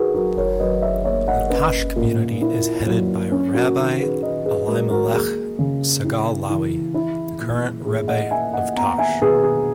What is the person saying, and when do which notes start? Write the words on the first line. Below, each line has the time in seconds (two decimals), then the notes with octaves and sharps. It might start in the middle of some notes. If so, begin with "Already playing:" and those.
The Tosh community is headed by Rabbi Elimelech Segal-Lowy, the current Rebbe of Tosh.
Already playing: D#4 F#4 G#4 A#4 B4
0.14 F#3 F#4 A#4
0.37 A#4 C#5
0.60 F#3 B4 D#5
0.82 C#5 E5
1.05 A#3 C#5 E5
1.28 D#5 F#5
1.50 C#4 B4 D#5
1.96 A#2
2.41 E4
2.86 F#3
3.32 C#4
3.55 F#4 A#4
3.77 D#3
4.00 G#4 B4
4.22 D#3 B4 D#5
4.45 G#4 B4
4.68 G#3 F#4 A#4
4.91 F#4 A#4
5.13 A#3 G#4
5.59 C#3
6.04 E4
6.50 E3
6.94 E4
7.40 A#2
7.85 A#2 G#4
8.08 D#5 F#5
8.31 A#3 E5 G#5
8.53 D#5 F#5
8.76 B3 F#5 A#5
8.98 E5 G#5
9.22 B2 G#4 B4
9.43 G#4